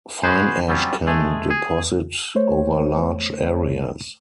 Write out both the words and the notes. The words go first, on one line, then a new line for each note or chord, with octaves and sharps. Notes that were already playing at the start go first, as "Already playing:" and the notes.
Fine ash can deposit over large areas.
F#4 G#4 B4 C5
F#3 G3 C4 C#4 F4
G#3 A3 G#4
G#4
A3 C5 C#5